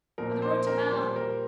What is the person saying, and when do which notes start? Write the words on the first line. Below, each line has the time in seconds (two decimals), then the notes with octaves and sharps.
On the road to Malahide.
0.18 A#2 F3 A#4
0.42 C5
0.67 A#4
0.91 A#2 G3 C5
1.16 A#4